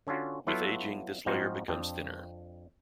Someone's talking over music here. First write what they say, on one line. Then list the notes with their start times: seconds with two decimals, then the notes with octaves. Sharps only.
With ageing, this layer becomes thinner.
0.07 D3 C#4 D4 F4 F#4
0.47 F#3 B3 E4 F4 A4 F5
1.26 G#2 F3 C4 D#4 F4 F#4
1.68 F2 C4 D4